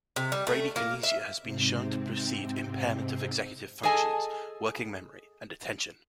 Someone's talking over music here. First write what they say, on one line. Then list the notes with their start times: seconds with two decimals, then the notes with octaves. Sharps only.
Bradykinesia has been shown to precede impairment of executive functions, working memory, and attention.
0.16 C3
0.32 G3
0.47 A3
0.76 A#3
1.03 E5
1.42 G#2 C3 C4
3.83 G#4 A4 D#5 G#5 A5